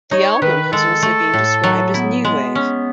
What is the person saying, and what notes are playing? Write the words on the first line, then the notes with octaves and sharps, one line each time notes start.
The album has also been described as new wave.
D#4 C#5
D#3 B4
G#3 A4
A3
A2
F#3
B3 E4
G#3
C#4